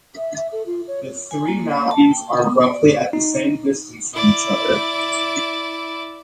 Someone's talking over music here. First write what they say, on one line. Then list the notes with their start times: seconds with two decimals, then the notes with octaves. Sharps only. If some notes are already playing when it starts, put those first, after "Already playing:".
The three mountains are roughly at the same distance from each other.
0.17 E5
0.37 E5
0.52 A4
0.66 F4
0.88 C#5
1.31 G#5
1.48 A#3
1.91 A5
2.11 G5
2.39 B3
2.66 D5
3.13 D#4
4.14 E4 D5